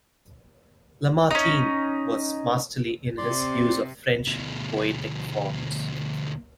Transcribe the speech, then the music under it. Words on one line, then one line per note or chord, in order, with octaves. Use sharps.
Lamartine was masterly in his use of French poetic forms.
C#4 D#4
C3 D5 C6
D2 B2